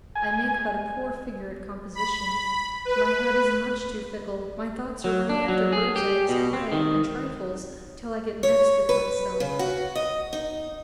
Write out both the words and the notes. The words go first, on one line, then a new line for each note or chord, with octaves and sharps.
I make but a poor figure at composition, my head is much too fickle, my thoughts are running after birds' eggs, play and trifles till I get vexed with myself.
G#5
B5
B4
F#3
D4
F#3
G#4
G4
B2
C4
D#3
C#5
B4
C#3
F#4
D#5
D#4